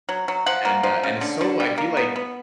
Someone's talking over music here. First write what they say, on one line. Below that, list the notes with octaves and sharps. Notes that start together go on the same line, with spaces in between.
and, uh and it's so I feel like
F#3
F#3
F3 F#5
A#3
F3
C#3
D3
D3
G3
A#3
B3
B3